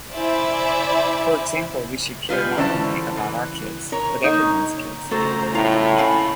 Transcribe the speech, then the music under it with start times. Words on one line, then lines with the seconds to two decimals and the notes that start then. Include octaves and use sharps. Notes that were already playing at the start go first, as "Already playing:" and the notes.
For example, we should care not only about our kids, but everyone's kids.
0.12 E4 C5 D5 E5 G#5
2.29 G3 G#3 F4 B4
2.58 D3 E3 C#4 C5 E5 A5
3.17 E3
3.92 A#4 C#5
4.23 A#3 D#4 C#5
5.11 C#3 A3 F#4 A4 C5 A#5
5.54 A2 E4 F4 F5 A#5
5.98 A#2 C#4 F5 G#5 B5